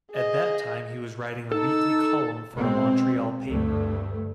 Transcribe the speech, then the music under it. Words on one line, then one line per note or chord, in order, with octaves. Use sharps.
At that time he was writing a weekly column for a Montreal paper.
G#4 D#5
D#4 A4 E6
B2 G#3 C4
D2 G2 A3